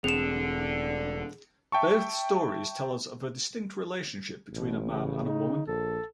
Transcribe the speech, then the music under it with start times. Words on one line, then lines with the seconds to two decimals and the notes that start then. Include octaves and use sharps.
Both stories tell us of a distinct relationship between a man and a woman.
0.04 E1 D3 C4 G#4 E7
1.72 E5 G5 A5 C#6
4.53 A1 B2
4.88 C#3
5.27 D#4
5.67 A#1 A4